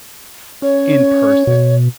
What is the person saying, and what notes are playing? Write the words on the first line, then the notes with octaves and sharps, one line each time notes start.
in person?
C#4 C#5
B2